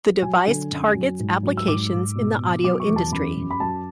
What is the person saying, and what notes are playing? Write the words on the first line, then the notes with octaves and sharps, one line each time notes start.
The device targets applications in the audio industry.
F#3 G#5
D3
F#2
F#3
G#2
F#3
E6
G#2 D6
G#2
B2
B2
F#3 D6
C#6
E2
A5
F#2 B5
F#2
B5
F#3 A5